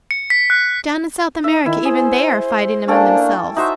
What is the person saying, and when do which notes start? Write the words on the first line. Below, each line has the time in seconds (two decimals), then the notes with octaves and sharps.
Down in South America even they are fighting among themselves!
0.11 C#7
0.30 B6
0.50 F#6
1.44 D#4 E5
1.66 D#3 E4
1.85 G#4 C5
2.88 A#3 C#4 D4 A4 G5
3.56 D#4 F#4 C5 E5